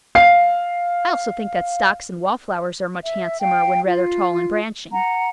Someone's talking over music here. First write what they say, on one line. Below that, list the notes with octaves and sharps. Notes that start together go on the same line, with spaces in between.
I also think that Stocks and Wallflowers are much handsomer when rather tall and branching.
F5 C7
E5
F5 G5
F4
F#5 A#5